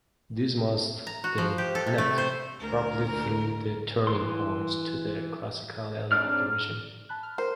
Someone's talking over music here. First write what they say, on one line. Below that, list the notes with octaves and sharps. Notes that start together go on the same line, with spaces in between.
These must then "connect" properly through the turning points to the classically allowed region.
A#5
F#4
F3
G4
A4
C3
A3
C5
D2 A#4
E3 C6
F#3 C4 D4 D5 F6
A5 B5 F#6
F6
A#4 C5